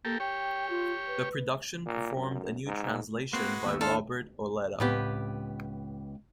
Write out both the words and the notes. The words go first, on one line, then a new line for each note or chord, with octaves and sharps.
The production performed a new translation by Robert Auletta.
A#3 G4 A4 A#4
G4 C#5 G5
F4
B4
A#2
F#2
G#2
G#3 A#3 C4 F#4 B4 C6 F#6 C7
D#2 A3 B3 E6
D4 E4 A4 C5 D5 F5
C#2 A2 B3 C4 G4